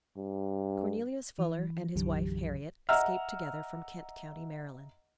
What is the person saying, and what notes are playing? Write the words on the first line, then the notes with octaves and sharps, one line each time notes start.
Cornelius Fuller, and his wife, Harriet, escaped together from Kent county, Maryland.
G2
E3
B1 F#2 D3 E3 F#3 G4
D#5 E5 F#5 A#5 E6 F6